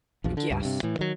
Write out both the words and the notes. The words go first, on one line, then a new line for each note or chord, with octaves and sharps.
Uh, yes.
A#1 E2 F3
D3
C#2 G2
G2 C3
A2 E3
D#3 F#3